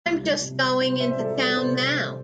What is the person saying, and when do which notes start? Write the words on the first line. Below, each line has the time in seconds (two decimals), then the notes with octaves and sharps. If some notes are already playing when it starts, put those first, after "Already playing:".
I'm just going into town now.
0.06 C2
0.25 C2
0.44 C3
0.63 G3
0.81 C3 C5
1.00 G3 C5 E5
1.11 E5
1.19 G3 A4 D5
1.38 G3 A4 D5
1.57 C3 C5
1.76 C3
1.95 G3